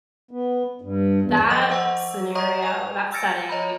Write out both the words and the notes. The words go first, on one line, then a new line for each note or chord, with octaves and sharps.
that scenario, that setting
B3
G2
E2
F3 D#5 G#5 D6 G6 F#7
C5 F#5 C#6 E6
C#5 D#5 A#5 C#6 D#6
G#5 F7
E6 F6 A6 A#6 C#7 D7
C#5 D#5 A#5 B5